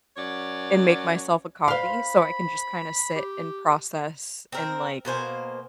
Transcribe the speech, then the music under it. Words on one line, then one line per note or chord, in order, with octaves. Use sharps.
and make myself a coffee so I can just kinda sit and process and, like,
F#2 C#5 D5
C5 F5 B5
G4
C4 A#4
B2 A#3 C5 G#5